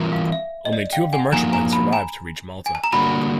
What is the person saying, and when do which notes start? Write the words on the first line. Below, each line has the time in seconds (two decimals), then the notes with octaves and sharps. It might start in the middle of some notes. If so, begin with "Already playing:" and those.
Only two of the merchantmen survived to reach Malta.
Already playing: E3 G3 C4 F4 A#4
0.12 F5
0.32 E5
0.65 D#5
0.73 D5
0.93 F5 G5
1.13 F#5 G#5
1.33 F3 A#3 D#4 G#5 A#5
1.53 G#5 A#5
1.73 A5 B5
1.93 G#5 A#5
2.66 G#5
2.75 A5
2.84 A#5
2.92 D3 G3 A#3 D4 F#4 A5 B5